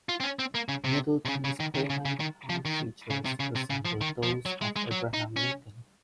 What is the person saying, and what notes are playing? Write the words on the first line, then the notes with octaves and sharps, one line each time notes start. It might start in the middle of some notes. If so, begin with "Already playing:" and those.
Middleton's granite-hard features resembled those of Abraham Lincoln.
F4
C4
C#4
C4
A#3
C#3
C3
C3
C#3
C#3
D#3
D#3
C#3
C#3
D#3
F3
D#3
C#3
C3
C#3
C3
C#3
F3
D#3
F3
F#3
G#3
G#3
F#3
D#4
C#4